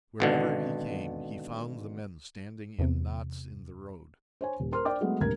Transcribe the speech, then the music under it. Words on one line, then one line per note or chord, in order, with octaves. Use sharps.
Wherever he came he found the men standing in knots in the road.
G#1 B2 D3
E2 C3
C5 C#5 G#5
D#1
A#4 C5 C6 F6
C5 D5 G5 D6
F#3 G#3 A3 B3
D#1 G#1 D2 A#4 G#6